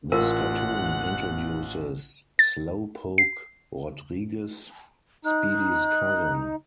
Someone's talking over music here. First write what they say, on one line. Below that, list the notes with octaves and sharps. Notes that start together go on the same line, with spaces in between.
This cartoon introduces Slowpoke Rodriguez, Speedy's cousin.
A1 F4 A#4 F#5 F#6
A6
C7
D#4 F#6